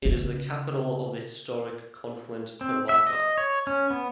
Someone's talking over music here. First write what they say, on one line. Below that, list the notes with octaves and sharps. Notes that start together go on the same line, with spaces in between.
It is the capital of the historical Conflent comarca.
C#3
C4
E5
D#5
C#5
C#4
B3